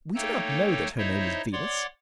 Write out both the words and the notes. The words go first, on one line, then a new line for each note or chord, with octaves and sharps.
We do not know that her name is Venus.
A3 A#3 D#4 A4 C#5 G5
D#4 E4 C5 C#5 D#5 E5
C#5 D5 F#5 C6 D6